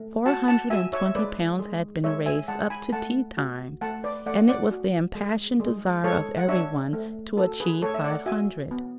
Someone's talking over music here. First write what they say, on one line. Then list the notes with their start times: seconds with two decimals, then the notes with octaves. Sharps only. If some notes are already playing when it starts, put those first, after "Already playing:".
Four hundred and twenty pounds had been raised up to tea-time, and it was the impassioned desire of everyone to achieve five hundred.
Already playing: A3
0.26 F#4 F#5 A5
0.48 F#5 A5
0.70 F#4 E5 G#5
0.93 C#5 E5
1.06 E5
1.15 G#3 B4 D5
1.59 G#3
2.04 G#3 C#5 E5
2.26 E5 G#5
2.48 G#3 F#5 A5
2.70 G#5 B5
2.92 A3 F#5 A5
3.37 F#4
3.81 A3 F#5 A5
4.04 B4 D5
4.26 A3 D5 F#5
4.48 D5 F#5
4.71 F#4
5.15 G#3
5.60 G#3
6.04 G#3 A4 C#5
6.38 F#5
6.48 D4 C#5 E5
6.93 A3
7.37 F#4 A4
7.60 G#4 B4
7.82 A3 A4 C#5
7.94 E5
8.04 D5 F#5
8.26 F#4 E5 G#5
8.71 B3